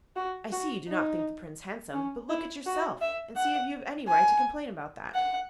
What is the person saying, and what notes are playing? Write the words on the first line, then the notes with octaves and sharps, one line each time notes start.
'I see you do not think the Prince handsome, but look at yourself, and see if you have any right to complain about that.'
F#4
F#4
D#4
C#4
E4
F#4
E5
F#5
G#5
F#5